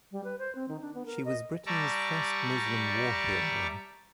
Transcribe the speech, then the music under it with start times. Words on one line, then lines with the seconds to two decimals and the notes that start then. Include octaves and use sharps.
She was Britain's first Muslim war heroine.
0.12 G3
0.24 B4
0.39 C5
0.55 C4
0.68 D#3
0.81 D4
0.94 B3
1.06 A#4
1.25 D#5
1.66 G3 D5 E5 A5 A#5 C#6